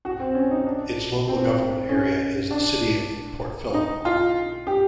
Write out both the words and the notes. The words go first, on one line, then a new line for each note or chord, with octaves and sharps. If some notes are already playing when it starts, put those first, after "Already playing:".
Its local government area is the City of Port Phillip.
F#4
C4
C#4
D#4
D4
C4
C#4
D4
D#4
F4
G4